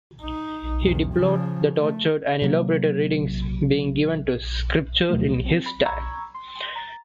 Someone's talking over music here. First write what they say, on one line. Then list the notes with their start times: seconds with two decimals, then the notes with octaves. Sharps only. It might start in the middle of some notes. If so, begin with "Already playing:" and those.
He deplored the tortured and elaborated readings being given to Scripture in his time.
0.22 D#4
0.81 B1 E2
1.13 C#3 F3
1.77 A3
2.42 C3 F#3 A#3
5.10 D2 B2 F3 F#3 A3
5.43 F#3 C4
5.66 B5
5.85 A#5 B5 C#6 E6 G#6
6.34 C6
6.76 A#5 A6